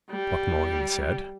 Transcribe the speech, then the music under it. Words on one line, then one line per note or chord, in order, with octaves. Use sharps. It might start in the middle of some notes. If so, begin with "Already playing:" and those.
Buck Mulligan said.
G3